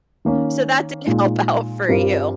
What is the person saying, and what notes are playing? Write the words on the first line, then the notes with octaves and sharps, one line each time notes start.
so that did help out for you.
D#3 A#3 C#4
A#2 G#3 D#4
G2 G3 C4 F4 A#4